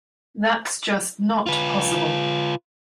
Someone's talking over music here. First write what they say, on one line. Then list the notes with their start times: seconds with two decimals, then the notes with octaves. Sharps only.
That's just not possible.
1.47 F4 B4